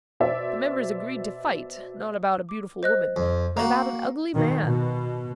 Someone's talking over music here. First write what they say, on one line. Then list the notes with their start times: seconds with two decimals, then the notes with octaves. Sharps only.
The members agreed to fight, not about a beautiful woman, but about an ugly man.
0.20 B2 C5 D5 E5
2.49 D6
2.83 C5 D#5 F#6
3.16 F2
3.57 A#3 F#4 A#5
4.34 B2 D#3
4.64 B2